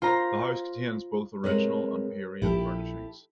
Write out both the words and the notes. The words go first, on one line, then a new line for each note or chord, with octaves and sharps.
The house contains both original and period furnishings.
F4 C5 A#5
C3 G#3 A#4 B4 C#5
A#1 A#2 E4 G4 A4